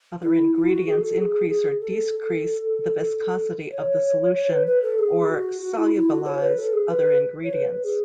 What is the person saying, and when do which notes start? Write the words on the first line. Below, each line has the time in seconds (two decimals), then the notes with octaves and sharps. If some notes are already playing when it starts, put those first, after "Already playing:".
Other ingredients increase or decrease the viscosity of the solution, or solubilize other ingredients.
0.22 E4
0.55 E4
0.69 F#4
0.86 G#4
1.01 A4
1.18 G#4
1.49 G#4
1.80 A4
2.13 A4
3.71 C#5
4.35 C#5
4.51 B4
4.67 B4
4.83 A4
4.99 G#4
5.30 F#4
5.62 F#4
5.78 E4
5.94 E4
6.10 F#4
6.26 C#5
6.42 B4
6.58 A4
6.73 G#4
6.89 B4
7.44 C#5
7.53 B4
7.84 G#4